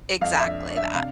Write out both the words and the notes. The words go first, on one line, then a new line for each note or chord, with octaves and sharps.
Exactly that.
F2 F5
E5
D4
D4
E5
C3 F5